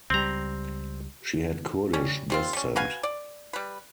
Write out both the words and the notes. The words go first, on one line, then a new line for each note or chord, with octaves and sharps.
She had Kurdish descent.
C#2 G3 C4 A#5
G3 C#4
G3 C4 F4
G3 C#4
F#4 B4 F5 G#5
D5
G3 B4